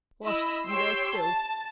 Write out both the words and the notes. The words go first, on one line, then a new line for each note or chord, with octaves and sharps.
'What! you there still!'
E4 D#5 B5 E6
G4 C#5 G5 C6 E6
A5